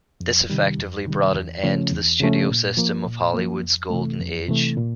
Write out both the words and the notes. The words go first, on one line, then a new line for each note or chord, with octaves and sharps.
This effectively brought an end to the studio system of Hollywood's Golden Age.
F2
C3 D#3 G3
F2
C3 D#3 G3
E2
C#3 F3 A3 C#4
E2
C#3 F3 A3 C#4
A#2
F3 A#3
A#2
F3 A#3
F2
C3 E3 A3
F2
C3 E3 A3
A#2